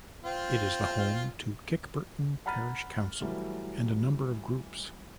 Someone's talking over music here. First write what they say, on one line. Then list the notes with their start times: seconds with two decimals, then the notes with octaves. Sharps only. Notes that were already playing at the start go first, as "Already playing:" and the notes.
It is the home to Kirkburton Parish Council and a number of groups.
0.24 C4 F4
2.46 F#5 A#5 B5 F6 A6 D#7
3.20 E3 F#3 G3 A3